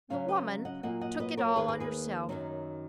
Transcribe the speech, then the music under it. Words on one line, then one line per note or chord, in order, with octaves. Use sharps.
The woman took it all on herself.
C#3 F#3 C#4 C#5 F5
B4 D#5
D#5 F#5
A#2 F#3 A#3 D#5 F#5
D#5 F#5
B4 D#5
A#4 C#5
D#2 D#3 A#3 G#4 B4
G#4 B4
G#4 B4
F#2 D#3 F#3 D#4